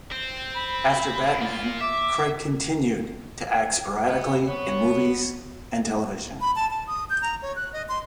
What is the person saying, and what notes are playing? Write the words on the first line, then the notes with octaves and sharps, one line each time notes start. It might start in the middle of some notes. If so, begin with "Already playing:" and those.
After "Batman", Craig continued to act sporadically in movies and television.
C4
B5
A#3 F4
E5 D6
F#5 B5
B3 C#5
B5
A5
A5
D#6
G6
A#5
C#5
F#6
D#5
C6